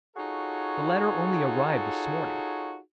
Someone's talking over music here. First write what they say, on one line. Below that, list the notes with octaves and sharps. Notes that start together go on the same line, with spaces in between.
The letter only arrived this morning.
D#4 F4 F#4 G#4 A4 C#5